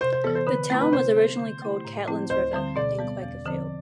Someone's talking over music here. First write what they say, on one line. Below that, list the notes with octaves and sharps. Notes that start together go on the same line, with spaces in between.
The town was originally called "Catlins River", then "Quakerfield".
C3 C5
C5
E3 B3 A4
C5
D3 B4
A3 C4 E4
B4
C3 C5
G3 B3
D3
A3 E4
A2
F3 A3 C4 E4
D2 C5
D3 G3 C4
B2 D5
G3 B3
E2
D3 F3 C4